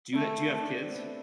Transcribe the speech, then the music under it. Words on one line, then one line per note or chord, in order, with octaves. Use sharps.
do you do you have kids?
A3 A4
D4
C4
B3
A3